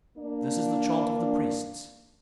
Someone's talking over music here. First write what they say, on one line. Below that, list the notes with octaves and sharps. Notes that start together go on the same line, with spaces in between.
This is the chaunt of the Priests.
A#3 D4